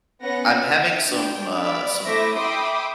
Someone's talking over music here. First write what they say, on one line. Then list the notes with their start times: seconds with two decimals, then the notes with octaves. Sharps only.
I'm having some, uh some
0.22 B3 C#4 B4 F#5 A#6
0.66 E5
1.09 D4 G5
1.54 D5 B5
2.06 A3 E4 C5 E5 D6 A#6
2.35 E5 G5 B5 C6 D6 D#6